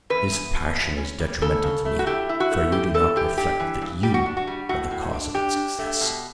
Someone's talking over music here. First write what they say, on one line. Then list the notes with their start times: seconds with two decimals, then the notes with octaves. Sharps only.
This passion is detrimental to me, for you do not reflect that YOU are the cause of its excess.
0.10 E2 B4
0.32 E2
0.54 B2
0.76 E2
0.98 C#4
1.20 G3
1.41 C#3 A4
1.63 C#3
1.85 A3
1.99 F#4
2.06 E4 G4
2.29 E4
2.40 F#4
2.51 A3
2.72 E3 G4
2.94 E3 A4
3.16 E3 G4
3.38 G2 G4
3.60 E3
3.82 G2
4.03 G3 G4
4.14 F#4
4.26 D4
4.37 F#4
4.47 G3
4.69 A2 F#4
4.91 A2
5.13 D4
5.34 D4 G4
5.56 D4
5.79 A3
6.01 B2